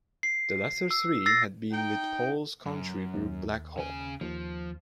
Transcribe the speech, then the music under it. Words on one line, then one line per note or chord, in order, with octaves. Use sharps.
The latter three had been with Paul's country group BlackHawk.
C7
E6
E6 A6 A#6 C7
D#4 G5
F#2
D#2
C#3 G#5
D#2 F3